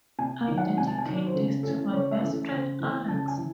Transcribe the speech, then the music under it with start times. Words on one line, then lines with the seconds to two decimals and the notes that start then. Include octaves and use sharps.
I dedicate this to my best friend, Alex.
0.19 C3 G#5
0.48 D#3 F#3
0.58 F#5
0.77 C3 G#5
0.87 A5
0.98 G#5
1.05 D#3 F#3
1.26 C5
1.35 C#3 A4
1.63 E3 A3 C#4 A4
1.92 C#3 C#5
2.11 E5
2.21 E3 A3 C#4
2.31 A4
2.51 C#3 C5
2.80 E3 A3
3.08 C#3 A5
3.28 G#5
3.38 E3